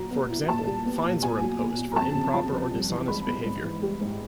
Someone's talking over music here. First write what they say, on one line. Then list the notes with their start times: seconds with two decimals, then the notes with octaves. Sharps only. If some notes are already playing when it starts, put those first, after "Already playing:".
For example, fines were imposed for improper or dishonest behaviour.
Already playing: A#2 F#3 A#5
0.11 B3
0.30 E4
0.49 A#2 A5
0.66 G3
0.86 B3
1.04 A#2
1.22 B2 G#5
1.41 F#3
1.59 A#3
1.78 B2
1.92 A#5
1.96 F2 A5
2.15 C#3
2.34 F3 A5
2.52 F2
2.72 G2
2.90 E3
3.08 G#3 B5
3.26 B3
3.46 G#2
3.63 E3
3.82 G3
4.01 G#2